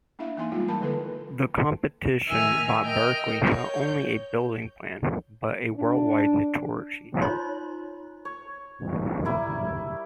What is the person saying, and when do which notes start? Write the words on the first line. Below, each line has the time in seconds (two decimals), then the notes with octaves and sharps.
The competition brought Berkeley not only a building plan but worldwide notoriety.
0.19 A#3 D4 E4 E5 F5
0.37 E3 A#3 B3 D#4 G#5 C6
0.52 G3 G#3 A#3 D#4 F4
0.68 E3 A#4 A5 B5
0.80 D3 F3 A#3 E4 A4 B4
2.27 D#3 E5 G#5 F6
2.83 A#4 D#5 G5 F6
3.47 C#5 G6
5.76 D4
7.22 D#4 F4 C5 C#5 A#5 C6
8.25 C#5
9.25 G3 E4 A#4